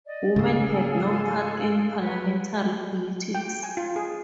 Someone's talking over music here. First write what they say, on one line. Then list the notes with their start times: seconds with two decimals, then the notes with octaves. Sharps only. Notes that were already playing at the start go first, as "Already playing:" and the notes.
Women had no part in parliamentary politics.
0.06 D5 D#5
0.36 G#2 C#3 G#4 A4 F5
1.99 B4 C#5 F#5
3.35 G5
3.63 G#5
3.77 F4
3.96 G#4